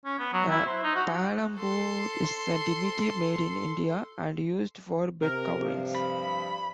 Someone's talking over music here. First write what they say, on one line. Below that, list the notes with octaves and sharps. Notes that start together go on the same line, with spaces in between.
A palampore is a dimity made in India and used for bed coverings.
C#4
B3
F#3
E4
C5
D#4
F#4
A4 C6
C3 A#4
G2 F3
B5